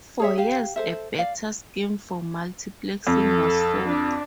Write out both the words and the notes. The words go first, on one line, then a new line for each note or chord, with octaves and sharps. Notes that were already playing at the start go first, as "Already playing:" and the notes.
For years a better scheme for multiplexing was sought.
G#4 C#5 E5
G4 F5
A4 C5 E5
D5 F5
F2 A4
D4